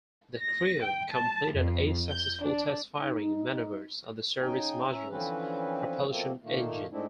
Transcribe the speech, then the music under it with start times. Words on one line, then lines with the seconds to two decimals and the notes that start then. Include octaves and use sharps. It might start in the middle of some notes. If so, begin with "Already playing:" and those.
The crew completed eight successful test firing maneuvers of the Service Module's propulsion engine.
0.41 A#6
0.83 G5
1.13 A5
1.54 F2
2.09 G6
2.42 D4
3.02 D#4
4.42 C#3 D#4 G5 G#5
4.91 C#4 E5 A#5
5.10 D3 E3 F3 C4 C#4 B4
6.09 B2 F3 A3 A#3 C4
6.44 A#2 D#3 A3 A#3
6.92 G#2 G#3 A3 C4 D4 E4